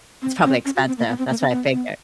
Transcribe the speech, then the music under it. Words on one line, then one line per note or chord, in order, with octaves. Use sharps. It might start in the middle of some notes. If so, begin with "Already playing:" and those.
It's probably expensive that's what I figured.
C4
C4
C#4
F#4
C4
A#3
B3
C4
A#3
C4
B3
B3